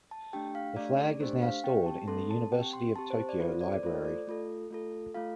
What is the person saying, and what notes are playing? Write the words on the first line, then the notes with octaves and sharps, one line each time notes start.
The flag is now stored in the University of Tokyo library.
A5
A3 D4 G4 G5
F5
A3 D4 G4 D5
D5
A3 D4 G4 C5
F5
C4 G4 G5
A5
A3 C4 A4 C6
A5
C4 G4 G5
C6
C4 G4 A5
C5
D5
C4 F4 A4 C5
D5
D5
A3 F4 A4 C5
D5
A3 F4 A4
A3 F4 A4
A3 F4 A4 F5